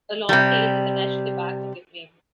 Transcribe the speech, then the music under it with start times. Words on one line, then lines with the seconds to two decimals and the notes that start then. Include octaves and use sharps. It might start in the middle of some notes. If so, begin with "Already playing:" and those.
A long tail is attached to the back of the frame.
0.29 C3 G3